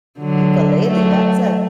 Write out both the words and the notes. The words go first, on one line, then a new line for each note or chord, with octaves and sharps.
Ukulele, that's a
D3 F#3
F#3 A3